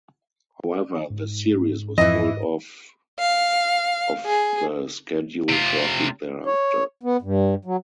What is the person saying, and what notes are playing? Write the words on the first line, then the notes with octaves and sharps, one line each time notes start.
However, the series was pulled off of the schedule shortly thereafter.
G#2
F2 E3 E4 D#5
F5
G#4
C3 F4
C#5
B3
G2
F#3